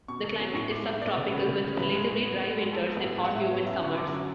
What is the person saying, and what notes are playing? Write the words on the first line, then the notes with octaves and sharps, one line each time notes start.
The climate is sub-tropical with relatively dry winters and hot humid summers.
B2 C#6
E2
F#3
A2 C#6
G#3 D6
A2 E5
B3 D5
C#3 D5
B4
F#3
B4
C#3
B3
A2 B4
G#3 B4
A2
B3
G#2
G#3
G#2 A4
B3
A2 A4
G#3
F#5
A2 E5
B3 C#5
F#2 E5
D3 C#6
F#2 D6
F#3